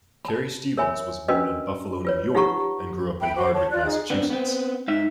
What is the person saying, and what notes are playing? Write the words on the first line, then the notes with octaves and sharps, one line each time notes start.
Carrie Stevens was born in Buffalo, New York and grew up in Hardwick, Massachusetts.
A5 B5
A#4 C#5 E5 G#5 B5
C#4 D4 F#4 A#4 B4 D#5
F4 B4 C#5
D#4 F4 G4 F#5 A#5 C#6
E5 G5 B5
F#4 C5 D6
C#5 A5
F4 D5 F#6
D#4 G#4
B3 C4 D4
B3 C4
G#2 D#4 E5